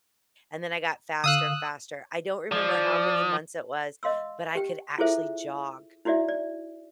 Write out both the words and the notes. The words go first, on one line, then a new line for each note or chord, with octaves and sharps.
and then I got faster and faster. I don't remember how many months it was, but I could actually jog
D3 F5 D#6 E6 F#6
F3 D5
D#5 F5 C6 E6
G4 G5
E4 F4 G#4 A4 C5 E5
D#4 E4 F#4 D5 E5
D5